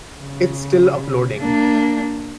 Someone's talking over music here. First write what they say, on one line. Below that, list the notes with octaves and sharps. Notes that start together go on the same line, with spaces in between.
It’s still uploading.
C#3
A#3 D4